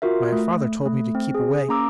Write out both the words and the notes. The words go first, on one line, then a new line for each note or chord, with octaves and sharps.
My father told me to keep away.
F4 F#4 A#4 E5
A3
A3
C4
G#4
A#3 C#4 A#5 D6 E6